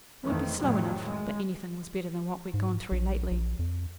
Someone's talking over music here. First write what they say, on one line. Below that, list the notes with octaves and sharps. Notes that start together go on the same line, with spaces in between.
It would be slow enough, but anything was better than what we'd gone through lately.
F2 D#3 E3 A3
F2 A2 D#3 F#3 G3
G#3
G#2
A#1
A#1
F2